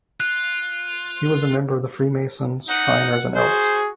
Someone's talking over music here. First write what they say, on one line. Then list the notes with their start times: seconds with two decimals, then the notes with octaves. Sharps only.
He was a member of the Freemasons, Shriners, and Elks.
0.20 F4 F#6
2.68 D#4 F#5
3.35 F#4 G#4 C5